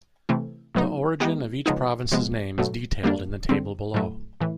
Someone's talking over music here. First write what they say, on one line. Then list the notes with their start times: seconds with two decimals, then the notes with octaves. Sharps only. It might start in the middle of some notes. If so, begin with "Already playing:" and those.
The origin of each province's name is detailed in the table below.
0.29 C3 E3 A3 C4
0.75 A2 F#3 B3 D#4
1.20 E3 G#3 B3 D#4 G4
1.66 C#3 F3 G#3 B3 D#4
2.12 C3 F3 G#3 B3
2.58 B2 F#3 A3
3.03 D3 G3 A#3 D4
3.49 D3 G3 C4
3.94 A2 F#3 A3
4.41 A2 E3